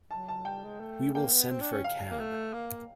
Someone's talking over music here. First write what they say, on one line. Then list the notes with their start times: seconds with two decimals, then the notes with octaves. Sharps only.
We will send for a cab.
0.11 F#3 A5
0.28 A5
0.45 G3 G5
0.63 G#3
0.80 A3
1.14 A#3 G5
1.33 B3
1.50 C4
1.61 D4
1.72 C#4
1.84 F5
2.11 A#3
2.19 A3
2.53 A#3